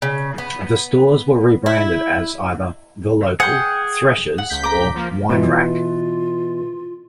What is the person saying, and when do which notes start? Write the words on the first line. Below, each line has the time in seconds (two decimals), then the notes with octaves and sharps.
The stores were rebranded as either 'The Local', 'Thresher's' or 'Wine Rack'.
0.02 C#3
0.38 B3
1.66 E4
3.40 G#4 F#5 G5
4.38 F#5
4.50 C#2 G6 B6
4.63 A#5 D6
4.95 F3 A#3
5.30 B2 E3 F4